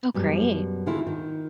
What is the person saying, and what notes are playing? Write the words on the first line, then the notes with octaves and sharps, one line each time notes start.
Oh, great.
F#2 B2 G3
D#2 D3 E4 F4 G#4
D#3